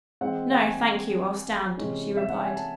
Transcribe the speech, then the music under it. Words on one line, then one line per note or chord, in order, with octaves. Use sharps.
"No, thank you, I'll stand," she replied.
E3 G#3 C4 F#5
F#5
G#5
C3 E3 G#3 C#4
E5
F#5
G#5
A5